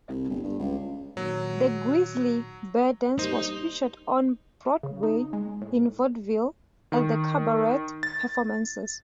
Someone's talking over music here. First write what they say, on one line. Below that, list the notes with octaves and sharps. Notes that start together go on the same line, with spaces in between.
The Grizzly Bear dance was featured "on Broadway, in vaudeville, and at cabaret performances".
C2
G1
G2
C#2
A#2 D#3 F#3
G3 A#3 D#4 C5
C#3
D#4
G#3
A2
D#3
A6